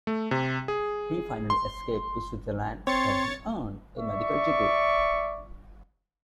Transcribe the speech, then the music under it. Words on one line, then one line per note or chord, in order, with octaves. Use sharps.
He finally escaped to Switzerland, where he earned a medical degree.
A3
C3
G#4
C6
C4 C#5 C6 A6 C#7
D5 E5 C#6